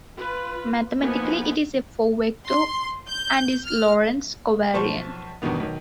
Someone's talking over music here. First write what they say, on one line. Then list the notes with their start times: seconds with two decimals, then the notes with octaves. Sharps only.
Mathematically it is a four-vector, and is Lorentz covariant.
0.18 F4 B4
0.98 F3 A#3 B3 D#4 G#5
2.48 C6
3.09 G6
3.66 F6
4.74 B1 F3 C5 A5 C6 C#6
5.42 E2 G2 B2 D#3 B3
5.60 B1 D#3